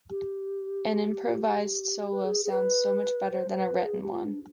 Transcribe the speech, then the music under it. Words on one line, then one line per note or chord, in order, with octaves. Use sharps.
An improvised solo sounds so much better than a written one.
G4
B4
G#4
G#4
B4
C5
C5
B4
G#4
G4
F4
D4